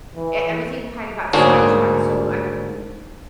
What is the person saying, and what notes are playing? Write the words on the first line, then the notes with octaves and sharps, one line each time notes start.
e everything kinda got sidetracked, so I
E3
D2 G#2 A#3 D4 G#4 C#5